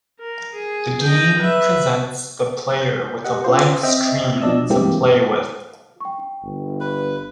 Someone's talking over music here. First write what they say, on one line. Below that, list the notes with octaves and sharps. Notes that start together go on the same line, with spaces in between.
The game presents the player with a blank screen to play with.
A#4
G#4
D#5 G5
B4 E5
G6
G4 D#5 F#5
C#4 F4 C5
C4 D#5 E5 G5
B2 F3 D4 D5 D#5 E6
G2 E3 G#3 A#3 C4 G4
G5 C#6
G1
B4